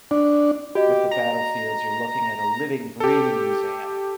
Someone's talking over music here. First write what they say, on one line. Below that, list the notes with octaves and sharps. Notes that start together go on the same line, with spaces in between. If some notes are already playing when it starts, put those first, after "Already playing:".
with the battlefields, you're looking at a living, breathing museum.
D4
F#4 G4 D#5
A#5
G4 A4